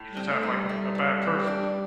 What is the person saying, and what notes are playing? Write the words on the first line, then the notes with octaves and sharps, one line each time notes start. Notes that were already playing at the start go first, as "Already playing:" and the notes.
you just have, like, a a bad person.
Already playing: A2
G3
C4
A3
D#4
G3
G3 A3
A2
C4
D4